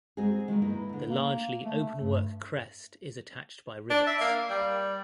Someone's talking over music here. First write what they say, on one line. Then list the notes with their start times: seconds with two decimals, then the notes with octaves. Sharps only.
The largely openwork crest is attached by rivets.
0.17 G#3 C4 D#4 F#4 G#4
0.48 D#3 G#3 F4 A#4
0.62 A#3 D#4 E4 B4
0.89 A2 D3
1.10 A#3
1.65 A3
2.01 G2
3.90 D4
4.07 E5
4.21 A#3
4.50 G3